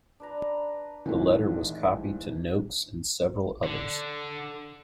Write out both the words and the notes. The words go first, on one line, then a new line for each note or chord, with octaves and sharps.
The letter was copied to Noakes and several others.
D4 B4 A#5
F1 A#1 G#2 D#3 E3
D3